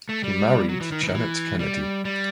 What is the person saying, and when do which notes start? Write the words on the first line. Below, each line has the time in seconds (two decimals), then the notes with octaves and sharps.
He married Janet Kennedy.
0.09 A3
0.24 G3
0.69 F#3
0.81 E3
0.92 D#3
1.03 E3
1.09 D#3
1.15 E3
1.59 G3
2.05 G3